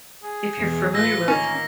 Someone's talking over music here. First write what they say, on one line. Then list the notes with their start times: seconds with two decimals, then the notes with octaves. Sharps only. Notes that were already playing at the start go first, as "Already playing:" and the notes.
If you're familiar with
0.23 G#4
0.56 E2 B2 E3
0.94 A2 F4 B4 E6 A#6
1.28 D#3 A#3 C#4